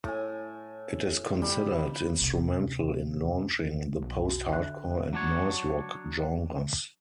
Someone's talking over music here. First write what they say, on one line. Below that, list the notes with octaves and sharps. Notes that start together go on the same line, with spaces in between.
It is considered instrumental in launching the post-hardcore and noise rock genres.
A2 G#5
G3 B5
D2 C3
B1
F#4
D3 E5 F#6
F#3 D4 C#5